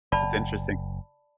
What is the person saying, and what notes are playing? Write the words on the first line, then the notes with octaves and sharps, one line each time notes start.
This is interesting.
F#1 D5 A5 B5